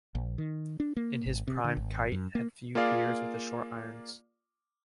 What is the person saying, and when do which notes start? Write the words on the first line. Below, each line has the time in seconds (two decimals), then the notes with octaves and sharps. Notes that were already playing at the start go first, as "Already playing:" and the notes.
In his prime Kite had few peers with the short irons.
0.15 A#1
0.38 D#3
0.80 D4
0.97 A#3
1.26 G#1
1.48 C3
1.64 D3
1.77 G#1
2.12 F#2
2.35 A#3
2.75 A#3 F4 G#4 D5 F5